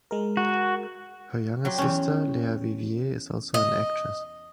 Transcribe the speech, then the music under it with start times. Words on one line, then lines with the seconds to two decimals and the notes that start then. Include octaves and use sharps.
Her younger sister Lea Vivier is also an actress.
0.11 G#3 A#4
0.37 F#4
1.65 F#3 G4 C6
1.78 E2 C#4
3.54 D#5